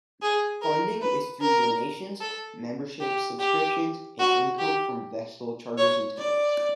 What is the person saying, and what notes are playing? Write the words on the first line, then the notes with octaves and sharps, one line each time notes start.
Funding is through donations, membership subscriptions and income from vessel charters and tours.
G#4
A#4
B4
A#4
A4
G4
G4
F#4
G4
C#5
D5